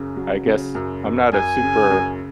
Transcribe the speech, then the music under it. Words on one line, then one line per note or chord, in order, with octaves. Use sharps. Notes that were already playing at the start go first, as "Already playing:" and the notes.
I guess, I'm not a super,
Already playing: F#2 C#3
F#3
C#3
F#2
F#2
F#2 G#5
C#3
F#2